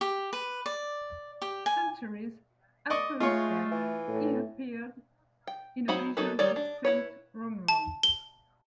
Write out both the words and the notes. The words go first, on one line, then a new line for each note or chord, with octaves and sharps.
Centuries after his death, he appeared in a vision to Saint Romuald.
G4
B4
D5
G4
G#5
D5 D#5 C#6
G#3 A3 F4 C#5
E3
A2
G5
F#3 C4 D#4 F#5 B5
F#3 A#3 D#4 A4 B4
D#3 G3 D#4 C#5 D5
D4
E4 B4 C#5
A5
G7